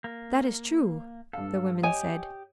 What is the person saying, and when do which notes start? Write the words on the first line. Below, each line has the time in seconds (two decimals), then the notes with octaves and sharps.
"That is true," the women said.
0.04 A#3
1.33 G2 A4 F5
1.83 G4 C#5 D#5 G5 G#5 D#6